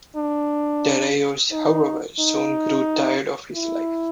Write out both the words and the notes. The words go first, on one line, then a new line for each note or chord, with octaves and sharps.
Dareios, however, soon grew tired of his life.
D4
D#4
D#4
E4